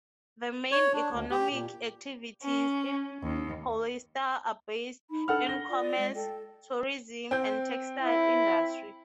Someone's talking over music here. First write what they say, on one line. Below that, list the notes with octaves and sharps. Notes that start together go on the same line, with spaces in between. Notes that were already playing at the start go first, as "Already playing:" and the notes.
The main economic activities in Paulista are based in commerce, tourism and textile industry.
C#5
D4
D2
G4
A#2
C#4
D#2
D#4 B5
D4 A4 F#5 F6
A#6 G7
F4 D5
G#3
A4 G5
C4 G6
E4